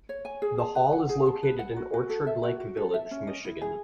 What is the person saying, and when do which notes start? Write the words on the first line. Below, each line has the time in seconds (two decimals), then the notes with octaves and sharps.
The hall is located in Orchard Lake Village, Michigan.
0.09 C#5
0.25 G#5
0.42 G#4
0.59 A5
0.75 B4
0.93 F#5
1.09 G#4
1.27 A5
1.43 B4
1.59 F#5
1.76 F#4
1.94 F#4
2.09 A4
2.27 E5
2.43 F#4
2.60 F#4
2.77 A4
2.94 E5
3.11 C#4
3.27 D#5
3.45 E4
3.61 G#4